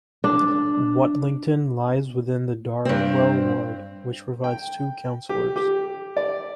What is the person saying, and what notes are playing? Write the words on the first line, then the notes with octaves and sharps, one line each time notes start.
Whatlington lies within the Darwell ward, which provides two councillors.
D4
G2 C4
G5
G4
G4
D5